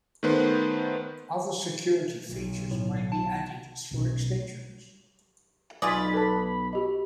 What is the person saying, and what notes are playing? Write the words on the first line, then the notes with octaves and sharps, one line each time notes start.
Other security features may be added through extensions.
D#3 A3 B3 B4 C5
B1
A2
A5
B1 B2 C#4
B1 F4 G#4 D5 B5
A4 B4 A5
F#4 G4 D#5